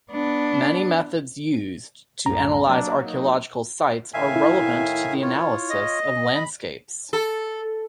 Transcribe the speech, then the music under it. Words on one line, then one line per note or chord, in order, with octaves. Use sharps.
Many methods used to analyze archaeological sites are relevant to the analysis of landscapes.
B3 D4
C2 F#2 A2 A#5
F#3 A#3 D4
D#4
A2 D#3 E5 F5 G#5
E4
F4 C#5
D#5
B5
A4